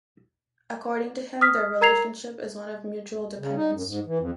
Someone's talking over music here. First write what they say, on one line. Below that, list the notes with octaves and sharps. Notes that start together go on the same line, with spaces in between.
According to him, their relationship is one of mutual dependence.
D#6 F6 B6
A#4 A#5 G#6 C7 F7
C#3
D#4
F#2
G#2
E3
F2